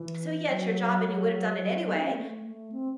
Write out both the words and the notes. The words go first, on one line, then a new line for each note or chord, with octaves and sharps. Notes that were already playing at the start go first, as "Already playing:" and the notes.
so yeah, it's your job and you would have done it anyway,
Already playing: E3
F#3
D#4
C#4
C4
A3
A3
C4